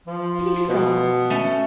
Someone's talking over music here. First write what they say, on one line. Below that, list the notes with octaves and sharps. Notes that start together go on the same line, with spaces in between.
Please come!
F3
B2
A3 C#4